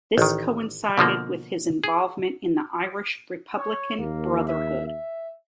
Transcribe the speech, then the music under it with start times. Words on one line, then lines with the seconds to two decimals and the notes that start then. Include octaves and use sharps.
This coincided with his involvement in the Irish Republican Brotherhood.
0.18 A1 D#3
0.98 B2 D3 F3 A#3
1.84 G#4
3.58 C#5
3.99 D#2 A#3
4.47 E5
4.86 E5